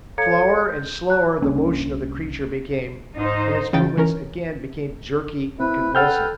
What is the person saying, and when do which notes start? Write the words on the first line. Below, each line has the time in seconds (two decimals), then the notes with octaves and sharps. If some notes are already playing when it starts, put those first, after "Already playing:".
Slower and slower the motion of the creature became, and its movements again became jerky and convulsive.
0.18 A4 C#5 F5 A#5 G#6 C#7
0.69 G6
1.10 C#5 A5 F#6
1.42 C2 A#3 C#4 D4
3.16 G#2 D#4 C5
3.73 C#3 E3 D#4 G5 A6
3.97 E3 C#4 A#4
5.60 C4 E4 B4
5.95 A4 B4 F#5 G5 E6 F6 G6 A6